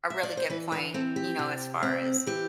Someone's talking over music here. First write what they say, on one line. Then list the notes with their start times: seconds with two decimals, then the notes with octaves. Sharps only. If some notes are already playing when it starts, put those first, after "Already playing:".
a really good point, you know, as far as
0.10 E5
0.23 D5
0.37 C5
0.50 E3 B4
0.72 B4
0.94 C4 A4
1.16 G4
1.39 C3
1.83 C4
2.27 E3 G4